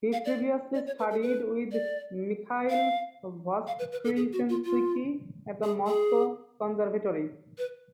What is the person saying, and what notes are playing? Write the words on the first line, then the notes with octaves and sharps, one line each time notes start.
He previously studied with Mikhail Voskresensky at the Moscow Conservatory.
F5
D5
D5
C#5
B4
A4
B4
D5
F5
F5
B4
B4
A4
G#4
F#4
F4
F4
G#4
G#4
B4